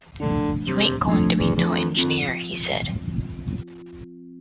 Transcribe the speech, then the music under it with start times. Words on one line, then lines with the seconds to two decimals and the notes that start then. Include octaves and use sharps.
'You ain't going to be no engineer', he said.
0.20 D3 F3 A3 D4
0.65 C3
1.08 F2 F3 A3 D4
1.38 E2
1.56 E2
1.68 F2
1.96 F2 F3 C4 F4